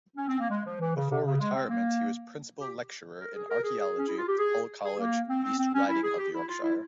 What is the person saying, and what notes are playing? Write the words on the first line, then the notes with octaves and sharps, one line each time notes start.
Before retirement he was Principal Lecturer in Archaeology, Hull College, East Riding of Yorkshire.
C#4
C4
A#3
G#3
F3
E3
C#3
C3
C#3
G#3
C4
A#3
G4
A#4
G#4
A#4
G#4
G#4
C#4
E4
F4
G4
G#4
G#4
A#3
C4
C4
C4
C#4
E4
G#4
G4
E4
F4
E4